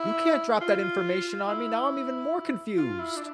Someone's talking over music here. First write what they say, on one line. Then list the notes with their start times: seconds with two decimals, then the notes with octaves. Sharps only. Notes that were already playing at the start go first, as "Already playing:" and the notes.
You can't drop that information on me. Now I'm even more confused.
Already playing: E4
0.61 F4
1.48 E4
2.78 F4
2.99 E4
3.16 D4